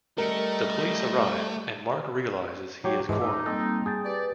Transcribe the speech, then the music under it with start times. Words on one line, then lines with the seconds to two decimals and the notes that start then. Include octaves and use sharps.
The police arrive and Mark realises he is cornered.
0.18 G3 A3 A#4 D#5 C#7
2.84 F#3 G4 C#5
3.09 G#2 E3 G#3 A5 D6
3.22 D#4 E5
3.46 G3 A#3 C4 A4 D#5
3.86 G#4 G5 A5
4.05 G4 B4 D5